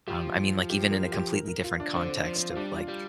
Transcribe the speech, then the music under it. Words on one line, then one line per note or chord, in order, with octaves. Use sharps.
Um, I mean, like, even in a completely different context of, like
F3 G4
G4
A#4
G4
A#4
A#4
F4
D4
D3 C4
D4
F3
C4
F4
G3 D4
F4
G3